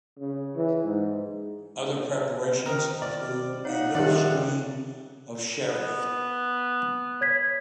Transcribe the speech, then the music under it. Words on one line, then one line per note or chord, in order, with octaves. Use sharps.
Other preparations include a little stream of sherry.
C#3
E3
G#2
D#3 A#4 C5 F6
D5
D#4 C#5 F5 F#5
A#1 G2 C3 D#3 D5 F#6
B3
C#5 G#6 B6